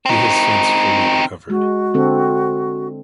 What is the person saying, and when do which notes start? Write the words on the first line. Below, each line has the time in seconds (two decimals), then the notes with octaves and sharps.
He has since fully recovered.
0.06 C4 D#4
1.50 G#3 F#4
1.94 D3 C4 A4